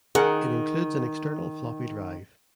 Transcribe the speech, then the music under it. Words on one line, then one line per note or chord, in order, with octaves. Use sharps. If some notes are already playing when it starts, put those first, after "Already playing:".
It includes an external floppy drive.
D#3 G#4 A#4 F#5